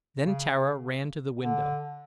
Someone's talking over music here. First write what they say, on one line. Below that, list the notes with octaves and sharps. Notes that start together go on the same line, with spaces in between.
Then Tara ran to the window.
C#3
D3